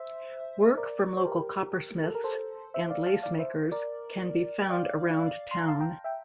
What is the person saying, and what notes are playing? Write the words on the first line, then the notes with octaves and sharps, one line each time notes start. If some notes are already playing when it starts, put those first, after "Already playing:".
Work from local coppersmiths and lacemakers can be found around town.
Already playing: C5 E5
C5
A#4 D5
C5
G4 A#4
A4
A#4
A4 C5
C5 E5
D5 F5
F5 A5
D5 F5
C5 E5
A#4 D5
G5
D5 F5
C6
A#5
F5 A5
G5 A#5
E5 G5